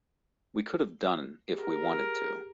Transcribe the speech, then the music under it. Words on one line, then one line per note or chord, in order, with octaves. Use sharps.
We could've done if we wanted to.
G4 G#4 A#4